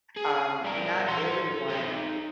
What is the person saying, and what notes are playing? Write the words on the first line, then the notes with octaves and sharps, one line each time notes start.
um, not everyone
G#4
G3 A#4
A4 C6
D#4 C#5